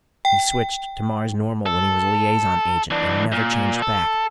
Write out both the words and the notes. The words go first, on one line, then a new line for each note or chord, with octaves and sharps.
He switched to Mars-normal when he was a liaison agent and never changed back.
G5
A4
E3 D4
A#2
A4